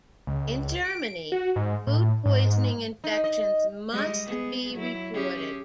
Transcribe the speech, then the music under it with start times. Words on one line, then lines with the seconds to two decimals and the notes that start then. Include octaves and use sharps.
In Germany, food poisoning infections must be reported.
0.27 C#2
0.85 D7
1.32 F#4
1.56 G#2
1.87 A2
2.26 G#2
3.04 D#4
3.24 D#5
3.92 G3 G#3 D#5
4.25 B3 G#4
4.75 F#3 E4
5.14 C#4 G4 G#4